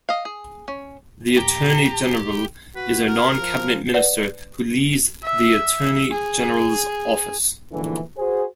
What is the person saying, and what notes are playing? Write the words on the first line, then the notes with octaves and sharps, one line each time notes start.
The Attorney General is a non-cabinet minister who leads the Attorney General's Office.
D#5 F5
G#4
C#4
A#1 D#2 G4 A#5
F#4 B4
A#4
F3
B4 D5 F#5
E5
G#4
A#1 G#2 B2 D3 E3
F#4 G#4 C5